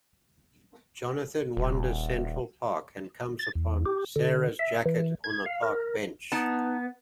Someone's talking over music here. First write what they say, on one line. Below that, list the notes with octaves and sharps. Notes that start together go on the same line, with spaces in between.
Jonathan wanders Central Park, and comes upon Sara's jacket on a park bench.
D#1
A6
E2
G4
D3
E5
E3
G#6
F5
A#4
B3 D#4 A5